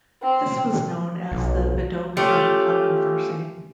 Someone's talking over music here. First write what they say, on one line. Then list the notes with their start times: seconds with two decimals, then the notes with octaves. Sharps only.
This was known as the Vedokta controversy.
0.22 C4
1.32 B1
2.17 A3 C#4 F4 G4